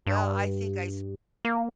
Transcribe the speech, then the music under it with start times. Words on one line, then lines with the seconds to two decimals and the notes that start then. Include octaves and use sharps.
Well, I think I s
0.07 G2
1.45 A#3